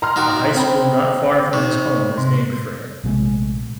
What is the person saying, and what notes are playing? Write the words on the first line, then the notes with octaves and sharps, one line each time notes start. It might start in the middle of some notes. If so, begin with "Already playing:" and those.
A high school not far from his home is named for him.
A#5 C6 F6
D#3 D#4 F#4 G5
C4 C5 G5 B5
C3 D#4 C#5
C3 C6
A#1 C3 G#3 A3